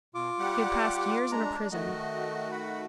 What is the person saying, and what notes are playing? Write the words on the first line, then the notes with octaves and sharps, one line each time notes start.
He had passed years in a prison.
B2 F4 D6
G3 G4 F#5
G#3 D4 A#5
D#3 A3 F#4 D#5
F#5 B5